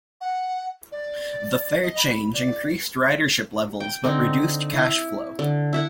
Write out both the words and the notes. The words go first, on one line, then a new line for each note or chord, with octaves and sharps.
The fare change increased ridership levels but reduced cash flow.
F#5
D5
D#5
B5
D5
G5
D3 C4 D#4
E4
D3
E4 E5 F#5